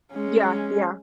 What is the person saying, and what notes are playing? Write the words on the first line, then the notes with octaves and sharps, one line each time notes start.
Yeah, yeah.
G#3 C#4